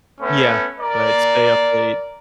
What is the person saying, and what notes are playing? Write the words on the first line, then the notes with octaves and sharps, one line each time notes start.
Yeah. Right, stay up late.
A3 B3 C#4
A#4 D5